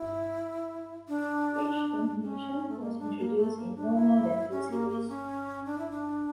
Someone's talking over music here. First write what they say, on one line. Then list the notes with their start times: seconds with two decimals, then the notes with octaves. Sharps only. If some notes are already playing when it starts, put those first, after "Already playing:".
Each denomination was introduced in no more than two series.
Already playing: E4
1.08 D4
2.22 C#4
2.69 A3
2.79 A#3
2.99 D4
3.18 A#3
3.37 A3
3.56 A#3
3.75 D4
3.94 E4
4.51 C#4
4.71 A#3
4.89 A#3
5.08 C#4
5.66 D4
5.78 E4
5.90 D4